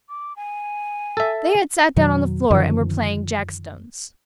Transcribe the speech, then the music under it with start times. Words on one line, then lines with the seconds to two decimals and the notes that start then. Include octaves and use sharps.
They had sat down on the floor, and were playing jack-stones.
0.09 D6
0.36 G#5
1.17 A4 E5
1.96 F2 B2 D#3 F#3
2.50 F#2 D3 D#3 F3